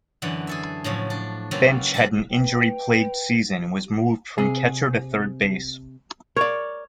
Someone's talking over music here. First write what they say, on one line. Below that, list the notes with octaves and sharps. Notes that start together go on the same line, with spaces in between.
Bench had an injury plagued season and was moved from catcher to third base.
F#2 D3 E3 F#5
G#4 A4 E5
A2 C#3 F3 F#3
D4
C#3 F#3 A#3 C4 F4 B4
G3 A4 B4 D5 E5
B4 G5
C3 G#4
A#4 C#5 D5